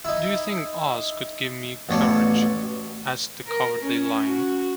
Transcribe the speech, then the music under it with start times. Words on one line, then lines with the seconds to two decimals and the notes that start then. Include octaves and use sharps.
Do you think Oz could give me courage? asked the cowardly Lion.
0.05 D#4 E4
1.89 A1 B2 C#5 D5 A5
3.47 A#4
3.81 C#4
4.27 F#4